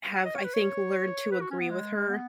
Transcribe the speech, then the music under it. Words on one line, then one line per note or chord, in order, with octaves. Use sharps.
have, I think, learned to agree with her,
F#5
D#5
C#5
B4
C#5
B4
F#4
C#4
B3
G#3
B3